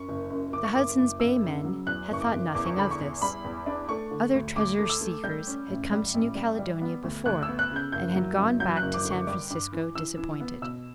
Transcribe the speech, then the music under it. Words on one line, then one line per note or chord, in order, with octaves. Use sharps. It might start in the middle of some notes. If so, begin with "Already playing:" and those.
The Hudson's Bay men had thought nothing of this. Other treasure-seekers had come to New Caledonia before and had gone back to San Francisco disappointed.
Already playing: F#2 C#6
F#1
F#2
F#1 D6
C#6
F#1 D6
F#1
F#1 E6
C#3
F#3
E2 F#6
F#1 C#6
D6
F#1
E2 D6
C#6
D3 B5
C#6
E2
G3 B5
E2
D4
A3 C#6
D3
D2
D2 D6
A3
E6
A3
G3 G6
C#4
A1
G3
A1
G3
G3
B3
D2
D2 F#6
E6
B3
F#6
C#3 G6
F#1 G6
F#3
F#1
F#3 G6
F#6
F#1
D6
D3
C#6
G3 D6
G2
E3
E3 E6
E3
B3
B2 E6